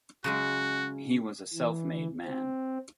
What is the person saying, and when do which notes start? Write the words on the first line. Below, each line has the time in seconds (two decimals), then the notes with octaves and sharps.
He was a self-made man.
0.24 C#3 F#3 G#3 F#4
1.53 E3
2.25 C4